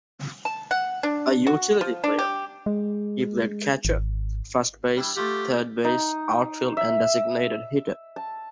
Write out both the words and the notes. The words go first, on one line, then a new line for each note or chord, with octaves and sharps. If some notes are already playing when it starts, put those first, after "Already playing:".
A utility player, he played catcher, first base, third base, outfield and designated hitter.
A5
F#5
D4
F#4
F3
D4
G4
G#3
G#1
G3 D4 E4
A3 F4 G4 F#5
D#4
E5
A5